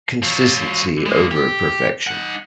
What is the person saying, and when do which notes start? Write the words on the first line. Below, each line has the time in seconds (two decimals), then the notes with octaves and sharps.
consistency over perfection.
0.22 F#3 F4
1.06 G#3 A#3
1.31 G4
2.07 D#4 F#5